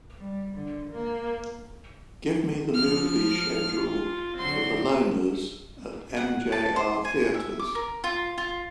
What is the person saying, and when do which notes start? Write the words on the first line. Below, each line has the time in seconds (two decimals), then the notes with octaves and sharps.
Give me the movie schedule for The Loners at MJR Theatres.
0.18 G3
0.55 D3
0.91 A#3
2.74 F3 F6
3.76 F4
4.39 D3 F#3 C4 C6
6.17 F#5
6.52 A5
6.76 C5
7.05 G#5
7.34 E5
7.59 D6
7.75 A#4
8.04 F4
8.38 F4